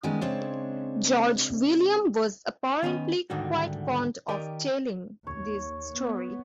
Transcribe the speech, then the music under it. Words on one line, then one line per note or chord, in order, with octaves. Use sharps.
George William was apparently quite fond of telling this story.
D#3 G3 G#3 B3 C#4 D#4
C#3 G#3 C4 D4 C#5
D#3 B3 C#4 D#5
D2 G#2 D3 D#3 G3 F#4
D#3 G4 A#4 D5 D#5
D#2 C#5
B3